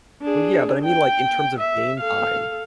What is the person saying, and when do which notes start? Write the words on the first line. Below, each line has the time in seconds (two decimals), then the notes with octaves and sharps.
Well yeah, but I mean, like, in terms of game time,
0.22 D4 G#4
0.84 G5
1.59 E5
2.00 A4 F5